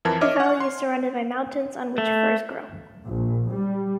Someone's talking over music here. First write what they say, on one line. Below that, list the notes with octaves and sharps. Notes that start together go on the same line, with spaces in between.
The valley is surrounded by mountains, on which firs grow.
F2 E3 A#4 A5 G#6
C#5 D#5 E5 D6 F6
F#5 C#6
C6
A3
A#1
G3